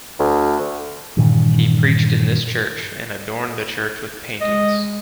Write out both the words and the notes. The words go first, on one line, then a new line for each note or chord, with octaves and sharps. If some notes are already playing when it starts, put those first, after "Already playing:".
He preached in this Church and adorned the Church with paintings.
D2
G2 A#2 D#3 E3
G#3 D#5